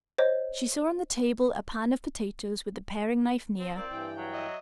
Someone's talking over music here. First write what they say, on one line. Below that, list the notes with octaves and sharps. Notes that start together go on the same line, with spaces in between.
She saw on the table a pan of potatoes with the paring knife near.
C5 C#5 D#5
C4
C4 F4 A#4 D5
G2 E3 G5
F#3
D#5 E5